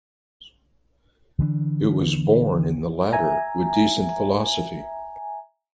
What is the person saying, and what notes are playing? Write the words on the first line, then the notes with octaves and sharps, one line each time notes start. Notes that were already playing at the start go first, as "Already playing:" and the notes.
It was borne in the latter with decent philosophy.
D3 E3 C4 D4
E5 G#5 A#5